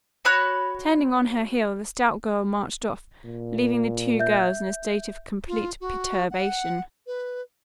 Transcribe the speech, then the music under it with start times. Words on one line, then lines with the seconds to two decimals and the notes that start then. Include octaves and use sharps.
Turning on her heel, the stout girl marched off, leaving the two girls in a state of complete perturbation.
0.25 F#4 C#5 B5 F#6
3.25 A#2
4.20 E5 G6
5.48 F4
5.81 F#4
6.31 F#5
7.07 B4